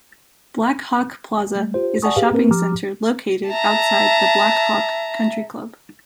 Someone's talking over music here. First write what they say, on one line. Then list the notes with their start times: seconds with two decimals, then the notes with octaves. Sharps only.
Blackhawk Plaza is a shopping center located outside the Blackhawk Country Club.
1.56 G3 A3
1.74 F4 G4 C5
2.02 D5 F#5 G#5 A5 C#6 D#6
2.16 G4 G#4 B4 F5
2.33 A#3 C4 A#4 B4
2.51 F3 G4 A#5 D6 F6
3.49 E5 A5 A#5